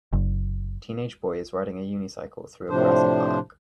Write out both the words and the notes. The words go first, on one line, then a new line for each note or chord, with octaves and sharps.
Teenage boy is riding a unicycle through a grassy park.
F#1
A2 C3 F3 D4 C5